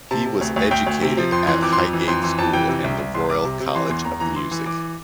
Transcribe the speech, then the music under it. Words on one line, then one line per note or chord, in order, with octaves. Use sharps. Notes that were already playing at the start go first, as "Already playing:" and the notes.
He was educated at Highgate School and the Royal College of Music.
C3 A5
C3
D2
D2
D2 G5
D2
C3
F3
F2 C6
E3 C6
F2 D6
C6
F2
E3
F2 C6
E3 C6
F2 A5
E3 G5
C3
C2
C2
C2 C6
C2 D6
C3
C3
E3 C6
E2 C6
E2 A#5
E3 A#5
E3 C6
E3
E3 D6